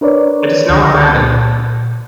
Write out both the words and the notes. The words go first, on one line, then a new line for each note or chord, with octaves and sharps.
It is now abandoned.
D4 A#4 B4 C#5 D5
C#2 D3 A#6
G5 A5 F#6 G6
A#2